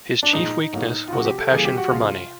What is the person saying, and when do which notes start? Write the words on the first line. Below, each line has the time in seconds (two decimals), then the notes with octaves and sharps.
His chief weakness was a passion for money.
0.23 D4
0.33 A#2 F3 G#3 D#4
0.73 A2 F#3 A#3
1.08 F4
1.12 C3 F3 G#3 F#4
1.25 G4
1.38 A4
1.51 C#3 E3 G3 A#3 G#4
1.65 G4
1.77 F#4
1.90 C3 F3 G#3 F4